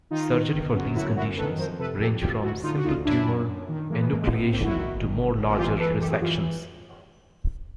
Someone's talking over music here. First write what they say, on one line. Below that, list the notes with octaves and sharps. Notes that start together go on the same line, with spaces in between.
Surgery for these conditions range from simple tumor enucleation to more larger resections.
D#3 D#4 F4
D#3
G1
F#2
G1 E4 F#4
F#2 E4 F#4
D#3 A4 B4
F2 A#4 C5
C3 A4 B4
F2 G4 A4
D2 F4 G4
D2 E4 F#4
D3 D#4 F4
F#4
D2 D#4 F4
F#2 D4 E4
F#2
F#2
D#3
E3 G#3 A#3
A3 B3
A2 G#3 A#3
G#3 A#3
A2 A3 B3
A#3 C4
B1 A#3 C4
E4 F#4
D#3
G1
G1
G1
E3 F4 G4
E3 A4 B4
F#2 G4 A4
F#4 G#4
E3 F4 G4